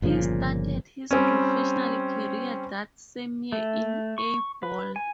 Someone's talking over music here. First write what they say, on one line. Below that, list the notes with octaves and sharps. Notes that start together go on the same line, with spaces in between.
He started his professional career that same year in A-ball.
G1 A#2 C#3 F3
G3 C4 C#4
A3
C#6
B4
G#5